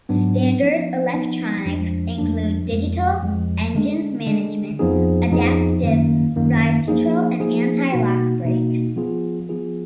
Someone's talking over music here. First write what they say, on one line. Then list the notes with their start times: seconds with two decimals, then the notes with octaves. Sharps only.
Standard electronics included digital engine management, adaptive ride control and anti-lock brakes.
0.09 G#2 F#3 B3 D4
0.62 F3 B3 D#4
1.14 F3 B3 D#4
1.66 F2 F3 G#3 D4
2.18 F2 F3 G#3 D4
2.71 F2 F3 G#3
3.23 F2 F3 G#3
3.74 D3 G#3 D4
4.27 D3 G#3 D4
4.79 F2 F3 B3 D#4 G#4
5.32 F2 F3 B3 D#4 G#4
5.83 F#2 D#3 A#3
6.36 F#2 D#3 A#3
6.88 F3 A#3 D#4 G#4
7.40 F3 A#3 D#4 G#4
7.92 B2 A#3 D#4 F#4
8.44 B2 A#3 D#4 F#4
8.96 F3 B3 F4 G#4
9.49 F3 B3 F4 G#4